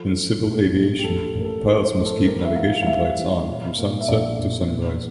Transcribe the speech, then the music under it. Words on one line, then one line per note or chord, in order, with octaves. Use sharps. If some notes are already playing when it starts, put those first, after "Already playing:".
In civil aviation, pilots must keep navigation lights on from sunset to sunrise.
Already playing: F3 A4
F3
A#1
A#1
G4
A1 A4
A1 A#4
A4
A2 A#4
C5
A2
A4
G3 A#4
E5
E3 F5
F5
G3 E5
E3
A#2
A#2
E5
A#1 D5
A#1
A#2